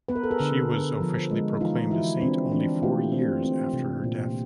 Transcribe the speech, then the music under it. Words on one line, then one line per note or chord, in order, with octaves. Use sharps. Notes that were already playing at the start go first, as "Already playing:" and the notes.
She was officially proclaimed a saint only four years after her death.
B3 B4
A#4
A4
G#4 A#4
D3
D3
F3
G#3
E3 D#4 F4
E3 E4 F#4
C4 D4
E3 C4 D4
A3 F4 G4
C4
C4
C3
A#2